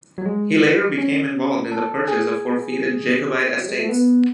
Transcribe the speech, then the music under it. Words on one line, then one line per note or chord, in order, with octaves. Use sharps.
He later became involved in the purchase of forfeited Jacobite estates.
F#3
G#3
C#4
A4
G#4
F#3
G#3
A3
B3